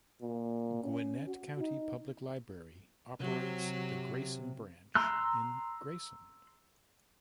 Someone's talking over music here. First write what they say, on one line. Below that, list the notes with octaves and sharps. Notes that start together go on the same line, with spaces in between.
Gwinnett County Public Library operates the Grayson Branch in Grayson.
A#2
C#4
F#4
D#4
C3 F#3
A#5 C6 E6 F#6